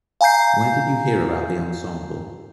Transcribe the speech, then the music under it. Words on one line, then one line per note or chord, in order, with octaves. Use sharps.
Where did you hear about the ensemble?
F5 G#5 A#5 G6 C7